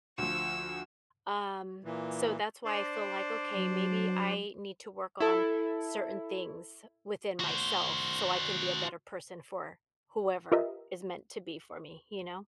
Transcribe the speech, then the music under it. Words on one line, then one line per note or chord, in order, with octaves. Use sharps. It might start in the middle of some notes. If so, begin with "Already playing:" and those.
um, so, that's why I feel like, "Okay, maybe I need to work on certain things within myself so I can be a better person for whoever is meant to be for me." You know?
D2 F3 C#6 E6
A#2 E3
D4 C5 D5
F#3
E4 A4
F#4 C5
F4 G4 A#4 B4 D#5 E5